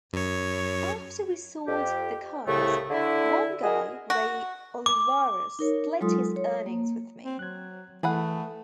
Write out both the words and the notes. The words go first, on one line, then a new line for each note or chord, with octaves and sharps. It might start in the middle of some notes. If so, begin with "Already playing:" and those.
After we sold the cars, one guy, Ray Olivaras, split his earnings with me.
F#2 C#5
F2 G4
C2 A2 C#3 A3 C#6
D3 E4
F#4 G#4 A#4 D#5
F#4
D6
D#4 A#4 C#5
F#3 G#3 F4 A4 C6 D#6
C#5
A#3
C4
F#3 F#6 G#6
E3 A3 G#4 B4 F#5